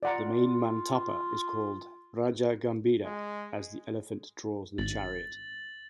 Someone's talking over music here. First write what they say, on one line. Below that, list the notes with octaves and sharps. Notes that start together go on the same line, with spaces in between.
The main mantapa is called Raja Gambira as the elephant draws the chariot.
F4 D5 F#5 A#5
G#3
G#1 A6 F#7